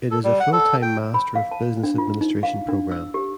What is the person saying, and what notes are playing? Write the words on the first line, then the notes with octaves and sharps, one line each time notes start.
It is a full-time Master of Business Administration programme.
A4
G3
F#5
A4
G5
B5
F5
A5
D4
F4
D#4
F5
D4
E6
G4